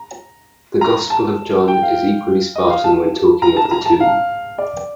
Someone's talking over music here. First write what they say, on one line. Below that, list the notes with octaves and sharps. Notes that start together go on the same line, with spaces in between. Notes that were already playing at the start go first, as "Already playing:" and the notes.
The Gospel of John is equally spartan when talking of the tomb.
Already playing: A#5
A#5
A5
G5
F5
D#5
F5
A5
A#5
A5
A#5
A5
F5
D5